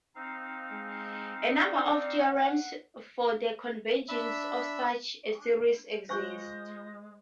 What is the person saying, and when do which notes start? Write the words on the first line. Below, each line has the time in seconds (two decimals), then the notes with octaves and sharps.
A number of theorems for the convergence of such a series exist.
0.15 C4 D#4 F5
0.71 G#3
1.48 D5
2.19 F#5
4.09 D4 E5 B5 E6
6.09 G#3 F4 C5 G#5 C#6 G6 A#6